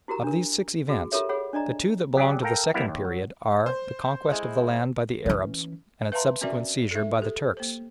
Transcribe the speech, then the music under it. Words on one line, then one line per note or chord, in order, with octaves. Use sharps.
Of these six events the two that belong to the second period are, the conquest of the land by the Arabs and its subsequent seizure by the Turks.
E4 F#4 G4 A#4 A#5
D4 A#4
F#4 G#4
F4 G4 A4 A#4 C#5 E5
G#4 C#5 F#5 B5
D4 D5 D#5 A#5
F#3 G4 G#4 D5
A4 A#4 F5 G5 A#5
G3 A#3 B3 E4 F5
D#2
F#3
C5
G#3 E4
E3 C#4
B4 E5 F5 A5 A#5 C6
C4 C#4 F#4 A#4 D5 E5
A4 E5
G4 A4
A#3 C5